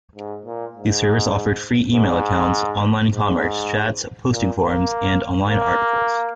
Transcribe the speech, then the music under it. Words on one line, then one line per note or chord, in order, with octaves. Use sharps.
The service offered free email accounts, online commerce, chats, posting forums, and online articles.
G#2
A#2
G#2
G#2
G#2
A#2
A#3
A#3